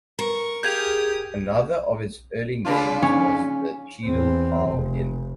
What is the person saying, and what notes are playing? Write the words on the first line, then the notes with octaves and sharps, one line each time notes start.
Another of its early names was the Cheadle Plough Inn.
A#4 C#6
G4 G#4 F5 D#6 G6 G#6 F7
C#3 D4 F4
C#4
E2 C4
F1